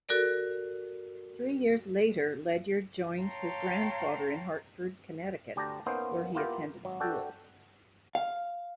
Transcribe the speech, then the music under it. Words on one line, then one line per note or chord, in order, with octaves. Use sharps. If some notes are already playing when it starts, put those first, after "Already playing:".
Three years later Ledyard joined his grandfather in Hartford, Connecticut, where he attended school.
F#4 A4 A#4 D5
C#5 F5 G5 A5 A#5 C6
D2 G4 D5 A5 A#5
A#3 B3 C#4 D#4 C5
A#3 B3 E4 F4 G4 A#4
G#1 F#3
D4 F#4 A4 G5
F5